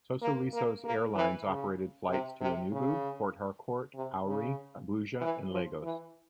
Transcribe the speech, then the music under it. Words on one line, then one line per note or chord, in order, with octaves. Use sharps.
Sosoliso Airlines operated flights to Enugu, Port Harcourt, Owerri, Abuja and Lagos.
A#3
A#3
A#3
E3
C#3
C3
C3
C#3
C3
C#3
E3
F3
E3